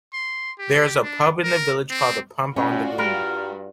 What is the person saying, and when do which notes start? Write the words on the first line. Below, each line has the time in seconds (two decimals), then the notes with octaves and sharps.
There is a pub in the village called the "Pump on the Green".
0.13 C6
0.59 G4
1.03 D4
1.43 A#4
1.90 C4
2.56 A2 C#4 F4 F#4 D5
2.98 G2 G3 A#4